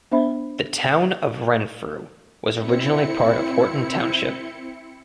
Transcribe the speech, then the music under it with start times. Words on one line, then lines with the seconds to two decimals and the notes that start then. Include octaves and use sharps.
The Town of Renfrew was originally part of Horton Township.
0.11 B3 D4 C5 E5 B5
2.55 C4 E4 C#7